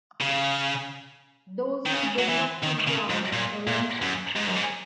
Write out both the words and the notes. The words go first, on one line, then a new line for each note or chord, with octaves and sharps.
Those who did not comply were arrested.
C#3
D#3
C#3
F#3
E3
D#3
C#3
G#2
A#2
A#2
F#2
G#2
F#2
G#2